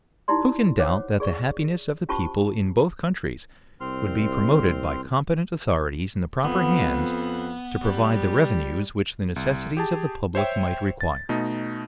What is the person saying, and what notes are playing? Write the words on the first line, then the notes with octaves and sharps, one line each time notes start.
Who can doubt, that the happiness of the people in both countries would be promoted by competent authorities in the proper hands, to provide the revenues which the necessities of the public might require?
D#4 E4 G4 D5 C6
C5 C#5 F#5 D6
G#4 D5 C#6
C#4 F4 G4 C5 A5 C#6
C2 C4 C6 F6
F2 B3
G3
C2
G4 G#4 A5
C5 C#5 E5 G5
A6
B2 A3 D#4